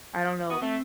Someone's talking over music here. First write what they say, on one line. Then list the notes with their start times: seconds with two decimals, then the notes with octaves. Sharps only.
I don't know
0.50 B3 F#4 D#6
0.62 A3 C4